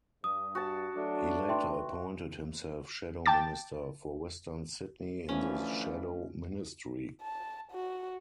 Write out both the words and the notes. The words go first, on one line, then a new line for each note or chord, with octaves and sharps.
He later appointed himself Shadow Minister for Western Sydney in the Shadow Ministry.
G2 D#6
F#4 A5
F#3 A3 D4
D2 A3 B4 E5 G5 C6
G5 A5 D6 A6
D3 E3 F3 A3 C#4
A5
F#4